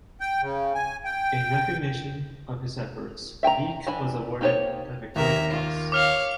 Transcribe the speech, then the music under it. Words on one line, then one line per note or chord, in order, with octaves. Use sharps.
In recognition of his efforts, Beak was awarded the Victoria Cross.
G5
C#3
G#5
G5
E5 G5 G#5 A#5
E3 D4 G#5 B5
A#3 D#4 G4 C5 C#5
D#2 A#4 E5 A#5
F4
C#5 F5 D6 F6 F7